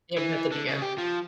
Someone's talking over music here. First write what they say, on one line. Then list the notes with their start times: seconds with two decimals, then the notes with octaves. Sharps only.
You have nothing to give.
0.18 E3
0.52 D3
0.68 C#3
0.82 G4
0.98 F3